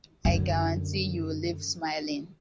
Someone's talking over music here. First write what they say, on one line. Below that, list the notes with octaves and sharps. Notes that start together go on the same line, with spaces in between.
I guarantee you will leave smiling.
F#2 D3